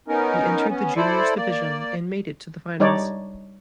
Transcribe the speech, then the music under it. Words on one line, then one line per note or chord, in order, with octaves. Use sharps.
He entered the Juniors Division and made it to the finals.
B3 C#4 D#4 A#4
B3 C#4
E4 A4 C5 D5
A#3 D5
G3 D#4 C#5 D5